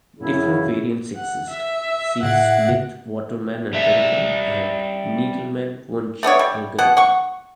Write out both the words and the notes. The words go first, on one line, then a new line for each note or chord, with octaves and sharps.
Different variants exist, see Smith-Waterman algorithm and Needleman-Wunsch algorithm.
F#2 C#3 E4
F#5
E5
A2 C#3 E5 F#5
G3 E5
A3 B3 D4 C#5
G3
B2 F#5
F#5 C#6